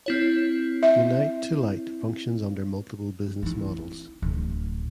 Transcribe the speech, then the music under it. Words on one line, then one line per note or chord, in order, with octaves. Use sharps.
Unite to Light functions under multiple business models.
C4 E4 C#5
E5
C4 E4
D1